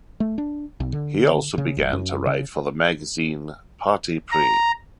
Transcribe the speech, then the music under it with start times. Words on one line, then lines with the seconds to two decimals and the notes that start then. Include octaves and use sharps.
He also began to write for the magazine "Parti pris".
0.20 A3
0.38 D4
0.80 B1
0.93 D3
1.58 C#3
1.77 D1
1.93 F#2
2.26 C#3
4.31 A#5